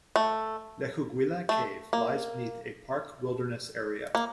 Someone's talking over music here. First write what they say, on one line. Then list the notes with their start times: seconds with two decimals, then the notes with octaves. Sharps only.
Lechuguilla Cave lies beneath a park wilderness area.
0.16 A3
1.49 A3
1.93 A#3
4.15 A#3